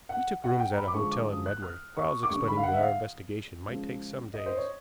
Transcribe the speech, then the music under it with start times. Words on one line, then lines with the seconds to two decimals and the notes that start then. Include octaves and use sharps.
We took rooms at a hotel in Medworth, Quarles explaining that our investigations might take some days.
0.09 F#5
0.44 F#5
0.60 G5
0.72 A#5
0.77 B5
0.88 D6
0.94 D3 F3 G#3 C#6
1.11 D6
1.28 D#6
1.46 F#6
1.62 F6
1.97 C#6
2.23 D6
2.29 D3 G3 C#6
2.48 B5
2.57 F5
2.63 F#5
2.73 E5
2.81 F5
3.66 C#3 F3 G#3
4.34 D#5
4.46 C5
4.57 C#5